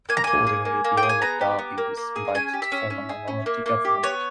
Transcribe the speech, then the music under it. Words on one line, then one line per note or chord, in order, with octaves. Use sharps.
Accordingly, the Earl of Derby was invited to form a minority government.
A#3 G#5
A#5
A#3 G#5
G#4
A#3
A#3
G5
G#4
G#5
B3 A#5
G4
B3
A#3
A#3
G#4
C#4 G#5
G4
E5
C#4
C#4
G#4
C#4
A#3
A#3
G4
B3 C#5